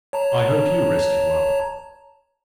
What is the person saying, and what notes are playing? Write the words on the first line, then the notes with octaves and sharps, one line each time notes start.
I hope you rested well.
C#5 A5 A#5